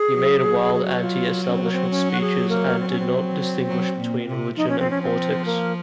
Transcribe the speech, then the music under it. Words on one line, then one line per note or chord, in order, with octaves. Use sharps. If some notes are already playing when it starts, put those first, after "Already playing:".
He made wild anti-establishment speeches and did not distinguish between religion and politics.
Already playing: G#4
F#3
G#4
F#4
F4
C#4
C4
A#3
C4
C#4
F#4
G#4
A#3
C4
C#4
C4
F#3
A#2
C3
F3 D#4
C#4
C4
C#4
C4
A#3